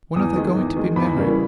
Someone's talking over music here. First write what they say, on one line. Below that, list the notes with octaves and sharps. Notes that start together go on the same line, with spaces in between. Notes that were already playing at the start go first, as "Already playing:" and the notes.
When are they going to be married?'
E2 D#6
D#3 G#3
E2
D#3 G#3
E2 B5
C#3 E3 G3 A#3